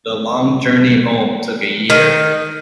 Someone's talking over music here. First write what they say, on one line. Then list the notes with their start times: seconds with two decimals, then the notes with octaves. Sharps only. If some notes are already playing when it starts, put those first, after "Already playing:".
The long journey home took a year.
1.90 D#3